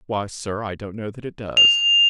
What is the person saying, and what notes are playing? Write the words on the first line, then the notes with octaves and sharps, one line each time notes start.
'Why, Sir, I don't know that it does.
F7